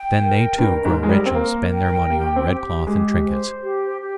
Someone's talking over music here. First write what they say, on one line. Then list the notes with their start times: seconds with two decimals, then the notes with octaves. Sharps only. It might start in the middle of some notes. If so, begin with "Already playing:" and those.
Then they too grow rich and spend their money on red cloth and trinkets.
Already playing: G5
0.21 A#4
0.58 G2 A#4
0.85 G#2
0.96 A#4
1.03 G#3
1.09 G3
1.26 C4
1.34 A#3 A#4
1.72 G5
2.10 A#3 G4
2.36 C4
2.48 G4
2.86 G#3 G4
3.24 C5
3.62 G4
4.00 G4